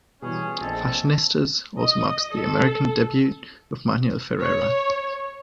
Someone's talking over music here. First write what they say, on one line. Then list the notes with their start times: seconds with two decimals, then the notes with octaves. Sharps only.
"Fashionistas" also marks the American debut of Manuel Ferrara.
0.22 B2 E3 G3 C#4 G#4
0.46 F4
0.61 A#1 C4 A4 D#5
1.81 D#5
2.34 A4
4.40 C#5